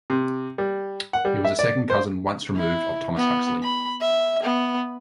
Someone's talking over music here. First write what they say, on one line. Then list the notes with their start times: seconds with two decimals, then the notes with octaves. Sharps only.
He was a second-cousin once removed of Thomas Huxley.
0.10 C3
0.58 G3
1.13 F#5
1.25 G3
1.45 E5
1.59 D5
1.90 C5
2.56 E4
3.17 B3
3.63 B5
4.01 E5
4.43 B3